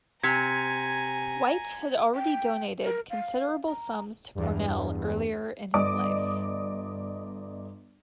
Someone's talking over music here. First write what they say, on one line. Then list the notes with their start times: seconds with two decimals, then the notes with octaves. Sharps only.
White had already donated considerable sums to Cornell earlier in his life.
0.23 C3 G#5 A#5 G#6 B6 C#7
2.15 G5
2.85 A#4
3.10 F5
3.67 A#5
4.35 E2 G2
5.74 G1 D5 D#5 D6 D#6